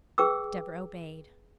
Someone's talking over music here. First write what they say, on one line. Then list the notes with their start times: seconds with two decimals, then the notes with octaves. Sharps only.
Deborah obeyed.
0.18 G#4 B4 G5 D6 E6